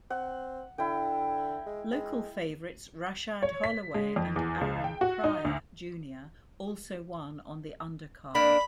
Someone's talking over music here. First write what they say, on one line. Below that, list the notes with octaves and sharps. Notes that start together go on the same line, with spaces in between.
Local favorites Rashad Holloway and Aaron Pryor Junior also won on the undercard.
C4 F#5
D3 E4 G5
G#3
G#3
C#5
B6
G#3
F2
E2
C#2
G5
F#4
D#4
D2
A#3 D4 B5